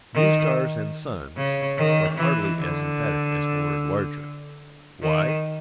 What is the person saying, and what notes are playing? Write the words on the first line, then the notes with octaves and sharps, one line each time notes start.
"New stars and suns" are hardly as emphatic as the word "larger." Why?
D#3
C#3
D#3
E3
D3
D#3